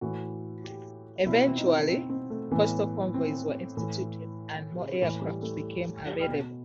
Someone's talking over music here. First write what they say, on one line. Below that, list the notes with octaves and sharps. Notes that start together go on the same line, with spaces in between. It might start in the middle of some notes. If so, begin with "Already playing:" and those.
Eventually, coastal convoys were instituted and more aircraft became available.
A2 E3 F#4
G4
B2 E4
C4
D#4
C4
C4
A3
A2 E3 B3
C4
A2 E3
A2 E3 A3
G3
A3
B2